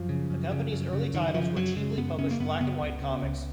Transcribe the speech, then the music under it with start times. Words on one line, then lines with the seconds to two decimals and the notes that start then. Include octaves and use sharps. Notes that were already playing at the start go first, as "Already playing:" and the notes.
The company's early titles were cheaply published black-and-white comics.
Already playing: F#2 F3
0.09 C#3
0.30 F#2
0.52 C#3
0.72 F#2
0.93 C#3
1.14 F#2 D#3
1.28 D#3
1.34 C#3 F3
1.56 F#2 F#3
1.77 C#3 G#3
1.97 F#2 B3
2.19 C#3 C#4
2.31 A#3
2.40 F#2 B3
2.61 C#3 B3
2.82 C#2
3.02 C#3
3.23 C#2